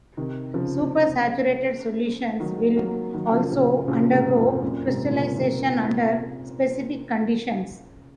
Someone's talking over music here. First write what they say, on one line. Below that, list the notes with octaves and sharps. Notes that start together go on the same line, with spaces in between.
Supersaturated solutions will also undergo crystallization under specific conditions.
C3 D#3
C#3 F3
D#3 F#3
F#3 A#3
D#3 F#3
C#3 F3
A#2 C#3
A#2 C#3
G#2 C3
F2 G#2
F#2 A#2
G#2 C3
A#2 C#3
C3 D#3